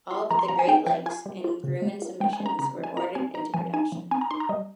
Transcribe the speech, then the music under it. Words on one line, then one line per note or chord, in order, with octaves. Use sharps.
All but the Great Lakes and Grumman submissions were ordered into production.
F4 C6
F3 A#5
C6
F3 A#5
G#5
D#4 G5
F3 G5
F4 G#5
G3
F4
C#3
G#3
F4
G#3 G5
G#5
G#3
A#5
C#3 A#5
F3
G#5
F4 A#5
C4 G#5
D#4 A#5
F3 G#5
D#4 G#5
F3
C4 G#5
A#5
D#4 C6
A#5
G3 D#5